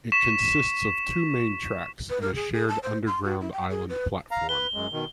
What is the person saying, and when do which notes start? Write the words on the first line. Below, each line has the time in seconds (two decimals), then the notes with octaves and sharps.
It consists of two main tracks and a shared underground island platform.
0.12 C#6 B6 E7
2.10 B4
2.22 A#4
2.35 G#4
2.53 G#4
2.69 A5
2.83 C5
3.07 C6
3.24 F#4
3.41 E4
3.53 G5
3.70 G#4
3.89 B4
4.31 F5 A#5
4.49 B4 G7
4.74 F#2 G#3
4.93 B2 D#3